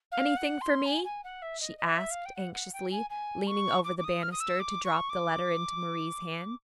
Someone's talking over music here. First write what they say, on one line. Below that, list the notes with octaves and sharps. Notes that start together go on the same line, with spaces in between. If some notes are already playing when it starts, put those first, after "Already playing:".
"Anything for me?" she asked, anxiously, leaning over the banister to drop the letter into Marie's hand.
F5
F#5
C6
G#5
G#5
F#5
E5
D#5
D#5
E5
F5
G5
F#5
F#5
G5
G#5
G#5
C#6
D6
D6
D#6
F6
D#6
E6
D6
C#6
D6